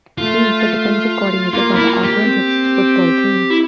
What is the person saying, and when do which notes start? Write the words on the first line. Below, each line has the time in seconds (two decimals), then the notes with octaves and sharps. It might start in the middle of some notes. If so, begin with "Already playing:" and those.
He is the defensive coordinator for the Akron Zips football team.
0.18 A3 F4
1.53 A#3 F4
1.75 E4
1.88 F4
2.04 G4
2.20 C4
3.50 E4